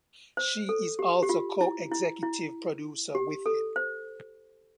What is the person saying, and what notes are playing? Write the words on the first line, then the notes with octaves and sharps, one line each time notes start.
She is also co-executive producer with him.
C5
A4
G4
G4
F4
E4
E4
E4
G4
A4
C5